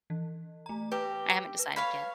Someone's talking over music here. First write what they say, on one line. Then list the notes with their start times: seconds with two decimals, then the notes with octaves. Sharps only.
I haven't decided yet.
0.10 E3
0.66 A3 A#5
0.92 G4 B4
1.59 B4
1.76 C#5 F5 B5